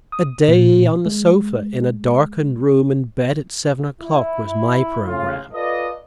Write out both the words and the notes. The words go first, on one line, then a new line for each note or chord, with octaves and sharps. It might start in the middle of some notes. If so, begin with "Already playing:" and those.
A day on the sofa in a darkened room and bed at seven o'clock was my programme.
D#6
A#2
G#3
E4
A2 C#3 F4
F4 A4 B4 D5 D#5